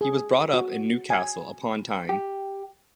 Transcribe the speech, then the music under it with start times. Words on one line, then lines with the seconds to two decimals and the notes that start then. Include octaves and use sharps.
He was brought up in Newcastle upon Tyne.
0.01 G#4
0.53 F#4
1.10 G#5
2.09 G4